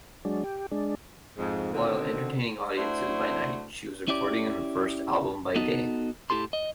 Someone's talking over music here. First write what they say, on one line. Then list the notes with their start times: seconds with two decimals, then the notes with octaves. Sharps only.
While entertaining audiences by night, she was recording her first album by day.
0.25 F#3 G#3 D4
0.44 G4
0.71 G#3 D4
1.38 F2 G#2
1.74 B2 D3 D#3 C4
2.78 A3 D4 E4 F#4 C5
4.08 C#4 E4 G4 D5
5.56 B3 D#4 F#4 A4 D#5
6.30 A2 E4 G4 A4 C6
6.53 D#5